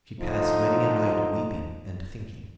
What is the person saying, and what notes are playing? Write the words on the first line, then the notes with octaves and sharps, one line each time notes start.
She passed many a night weeping and thinking.
D3 F3 D#4